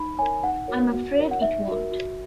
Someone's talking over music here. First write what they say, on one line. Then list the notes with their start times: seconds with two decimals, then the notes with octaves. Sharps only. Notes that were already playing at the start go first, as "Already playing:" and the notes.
I'm afraid it won't.
Already playing: D#4 B5
0.18 A#4 C#5 G#5
0.43 D#4 F#5
0.68 F#4 A#4 C#5
0.93 F#4
1.18 A#4 C#5
1.31 F#5
1.42 D#4 E5
1.67 F#4 A#4
1.92 F#4